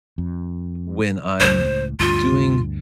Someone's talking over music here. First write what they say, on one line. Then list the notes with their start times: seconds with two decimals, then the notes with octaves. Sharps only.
when I'm doing
0.18 F2
1.40 C#2 A2 C5
2.00 D2 G2 F4